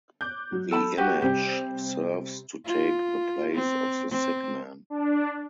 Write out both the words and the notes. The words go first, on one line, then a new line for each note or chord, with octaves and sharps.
The image serves to take the place of the sick man.
D6 F#6 G6
F#3
A4 A5 B5
F#4 G4 B4
C3 G3 C4 G4
F4
C4
C4
D4